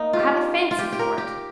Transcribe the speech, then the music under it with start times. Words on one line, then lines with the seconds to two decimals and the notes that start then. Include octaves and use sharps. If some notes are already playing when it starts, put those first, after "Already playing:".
I have a fancy for it.
Already playing: A#3 D#4
0.13 F4
0.19 G4
0.71 F4
0.79 G4
0.92 G4
0.99 A#4
1.18 G4